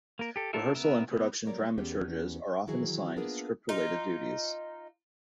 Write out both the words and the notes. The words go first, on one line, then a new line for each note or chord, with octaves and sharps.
Rehearsal and production dramaturges are often assigned script-related duties.
A#3 A#4
G4 A4
D4 F4 A4 A#4 E5
B3 A#4 E5
B3
F#3 G3 A#3 A#4 C#5 D5
E2 B3 C#4 G4 G#4
D#3 E3 F#3 E4 F#4 G#4
A#3 B3 D4 F4 G#4 A#4
D#4 F4